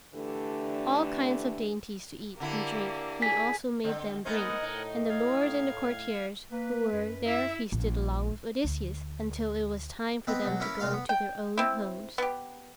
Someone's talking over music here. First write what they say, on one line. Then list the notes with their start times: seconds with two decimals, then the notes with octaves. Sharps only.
All kinds of dainties to eat and drink he also made them bring, and the lords and the courtiers who were there feasted along with Odysseus, until it was time for them to go to their own homes.
0.15 D3 E3 A3 D4 G4
2.40 D3 A#3 E4 G4
3.22 G#4 B6
3.84 D3 C4
4.25 A#3 B3 D#4 A#4 C5 F#5 G#5
4.62 A2 D#4
5.09 F5 G#6
6.52 A#3 B4
6.92 F#2
7.26 E4 E5
7.72 A#1
8.64 D2
10.27 B3 C4 B4 D#5
10.45 B1 F#3
10.60 A#3 C#4 E4 B4
10.80 C2 A#2 F4 F5 C6
10.93 B3
11.09 G5
11.58 C4 E4
12.18 B3 G4